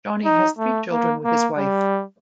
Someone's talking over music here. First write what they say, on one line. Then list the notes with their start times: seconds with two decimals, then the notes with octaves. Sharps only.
Johnie has three children with his wife.
0.25 D#4
0.58 A3
0.91 A#3
1.24 A#3
1.57 G3